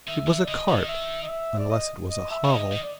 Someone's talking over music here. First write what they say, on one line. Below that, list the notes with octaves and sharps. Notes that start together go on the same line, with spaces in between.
It was a cart, unless it was a hovel.
D#3 E5
D3
D5
D3 D#5
D#3
D#5
E5
D#5
E5
D5
D#5
D#5
E5
D#3
D3 D#5
D#3
D5